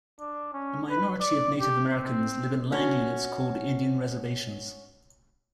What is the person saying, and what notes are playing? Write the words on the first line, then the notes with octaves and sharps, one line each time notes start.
A minority of Native Americans live in land units called Indian reservations.
D4
C#4
B4
D5
G4
C4
C#4 F#4